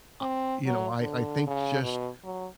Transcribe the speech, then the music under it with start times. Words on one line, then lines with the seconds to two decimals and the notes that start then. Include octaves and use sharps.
Ah you know, I I think just
0.21 C4
0.66 F#3
1.00 D3
1.47 C#3
1.82 B2
2.25 F#3